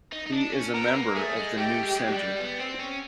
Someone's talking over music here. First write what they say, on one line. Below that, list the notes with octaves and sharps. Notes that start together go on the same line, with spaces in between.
He is a member of the New Centre.
D#4
D#4
D4
C#4
B3 A#4
A#3
A3 G#4
G#3
A3 G4
G#3
F#3
G3
B3
C4
C#4